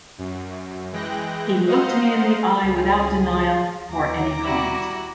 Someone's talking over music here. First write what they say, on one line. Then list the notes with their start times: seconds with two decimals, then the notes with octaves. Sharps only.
He looked me in the eye without denial-or any comment.
0.18 F#2
0.92 E3 G#3 G5 F#6 A#6
1.66 C5 D#5 F5 F#5 A#5 C6
2.64 C#2 A2 G#4
3.90 D#2 B2 F#3 A#5 D6
4.42 G3 E4 F#4